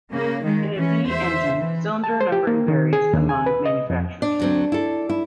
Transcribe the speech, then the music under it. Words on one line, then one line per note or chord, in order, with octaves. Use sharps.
In a V engine, cylinder numbering varies among manufacturers.
C#3 A#3
D#3 G#3
E3 C#4
E2 C5 E5
E3
A5
C5
G4
A#3
D#3
G#4
D#2
G#5
B4
D#5
F2
D4
D2 F#3 C4
E4 A4
E4